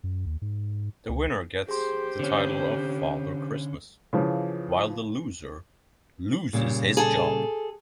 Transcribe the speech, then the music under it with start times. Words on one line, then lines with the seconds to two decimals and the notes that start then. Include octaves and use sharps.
The winner gets the title of "Father Christmas" while the loser loses his job.
0.04 F#2
0.26 D#2
0.42 G#2
1.09 C#2
1.69 G4 G#4 C5 C6
2.19 D3 C4 C#4 C#5
4.13 C#3 E3 F3
6.53 A#2 C#3 G3
6.97 G#4 A4